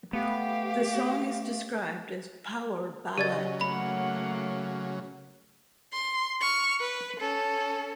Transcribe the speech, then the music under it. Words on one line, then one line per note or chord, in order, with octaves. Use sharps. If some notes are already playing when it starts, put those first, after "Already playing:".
The song is described as "power ballad".
A3 B3 G4 F5
C#3 F#3 G4 D5 D#5 A6
A3 A#3 F#5 B5
C6
C#6 F6
B4
C#4 A4